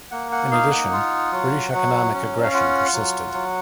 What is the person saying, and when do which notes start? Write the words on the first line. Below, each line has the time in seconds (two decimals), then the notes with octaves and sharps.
In addition, British economic aggression persisted.
0.11 A#3 F#5
0.32 F#5
0.51 D#4 F5
0.71 F#5
0.93 F4
1.32 F#3
1.73 F#3
2.13 C#4
2.44 F5
2.54 F4 F#5
2.93 F#3
3.34 F#3